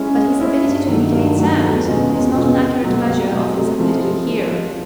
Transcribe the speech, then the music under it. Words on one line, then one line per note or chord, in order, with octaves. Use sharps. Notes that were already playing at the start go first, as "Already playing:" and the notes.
But his ability to imitate sounds is not an accurate measure of his ability to hear.
Already playing: G#3 C#4 E4
G#3
C#4 E4
G2
D#3 F#3 A3
G2
D#3 F#3 A3
E2
B2 G#3 C#4 F4
E2
B2 G#3 C#4 F4
C2
B2 F#3 A3
C2
B2 F#3 A3
C3
F3 G#3 C4 E4
C3
F3 G#3 C4 E4
F3